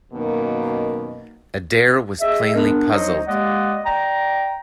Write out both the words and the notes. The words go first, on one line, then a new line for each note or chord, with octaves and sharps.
Adair was plainly puzzled.
F#2 B2 D#3 A#3
G#4 D#5 E5
B3 D4 A#4
F#3 D#4 C5 C#5 D#5
G#3 A#3 G4 D5 D#5 F#5
D5 G5 A#5